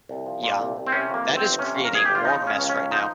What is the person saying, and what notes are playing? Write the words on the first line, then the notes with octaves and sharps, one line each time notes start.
Ya. That is creating more mess right now.
C2
F3
A#2
C2
C2
C4
C3 C#4
F2 A#3
G1
C4
G1
C3 C#4
F2
A#4
G1 G#4
G1 G4
F4
F3 D#4
C#3 C#4
C#2
C#4
C#2
F3 D#4